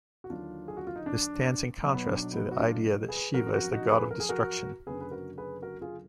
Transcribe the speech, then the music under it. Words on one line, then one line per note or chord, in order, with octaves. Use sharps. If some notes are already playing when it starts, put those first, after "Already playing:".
This stands in contrast to the idea that Shiva is the God of destruction.
F#4
D#2 D3 F#3 D4 F4
G#4
F#4
F4
D#4
D4
B1 B2 F#3
B3
D4
B3 D#4
F#4
D4 F4
G#4 B4
G#1 F#2 F3 F#4 A#4
F#4 A#4
D#4 F#4
G#4 B4
A#4
G#4
F#4 A#4
F#1 F#2 D3 G#4 B4
B4
F#4 A#4
G#4 B4
F#4 A#4
F4 G#4